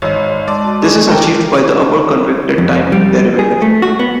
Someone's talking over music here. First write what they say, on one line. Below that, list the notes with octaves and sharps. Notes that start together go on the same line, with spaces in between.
This is achieved by the upper convected time derivative.
G#1 C#5 D#5 E6
G#3 D5 A5 C6
F#4 D#5
G#4 G#5 C#6 D6
A4 A#4 G5
F2
G3
G#4
A3
F#4
B3